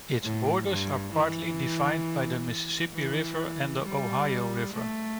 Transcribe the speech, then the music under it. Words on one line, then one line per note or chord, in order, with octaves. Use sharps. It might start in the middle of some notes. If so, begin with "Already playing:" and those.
Its borders are partly defined by the Mississippi River and the Ohio River.
A2
G2
E3
E3
G3
A3